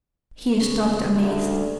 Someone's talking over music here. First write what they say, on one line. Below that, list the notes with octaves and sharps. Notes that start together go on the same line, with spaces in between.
He stopped amazed.
C#3
D2